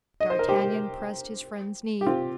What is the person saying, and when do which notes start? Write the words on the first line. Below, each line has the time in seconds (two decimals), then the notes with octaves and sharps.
D'Artagnan pressed his friend's knee.
0.20 D#5
0.30 C5
0.39 A#4
0.49 G4 C5
2.01 G4
2.06 C4 F4